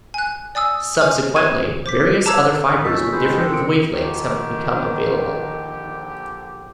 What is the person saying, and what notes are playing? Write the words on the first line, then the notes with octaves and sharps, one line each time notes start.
Subsequently, various other fibers with different wavelengths have become available.
G#5 F#6
D5 G#5 D#6 E6
C5 G#5
G#6 D#7 E7
C5 D6 B6
A5 A#5 D6 E6 G#6
D#4 A5 C#6 E6 B6
F2 G#3 C#4
D#3 F#4 G#4 B4 C5
F2 G#3 C4
A#2 C4 D4 A4 D#6
C#7 D7
A#1 D3 D#3 G4